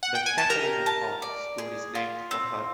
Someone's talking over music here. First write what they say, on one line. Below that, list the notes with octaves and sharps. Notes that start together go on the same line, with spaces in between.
The Katharinenhof school is named for her.
F#5
G5
G#5
A5
G4 A#4 A#5
A5
D5
G#4
F4
C4